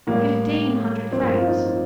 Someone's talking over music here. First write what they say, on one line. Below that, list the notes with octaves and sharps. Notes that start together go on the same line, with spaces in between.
Fifteen hundred francs!
A2 G3 A#3
G2 F3 C4
A#3
C4
F4
D#4
F4